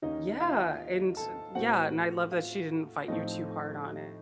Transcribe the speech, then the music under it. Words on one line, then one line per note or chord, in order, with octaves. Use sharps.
Yeah, and Yeah, and I love that she didn't fight you too hard on it,
D#2 D#3 A#3 C#4 D#4 D#5
F4 F5
A4 A5
A2 A3 C4 F#4 F#5
F4 F5
A2 F3 A3 C4 D#4 D#5